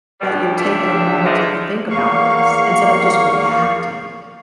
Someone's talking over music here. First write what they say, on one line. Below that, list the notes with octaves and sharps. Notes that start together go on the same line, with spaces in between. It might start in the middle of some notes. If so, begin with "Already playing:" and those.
that you're taking a moment to think about this instead of just reacting.
F#2 B2 G3
E2 G2 C#3 D4 E5
G#2 D3 E3 F3 G#3
E2 A#3 F5 C#6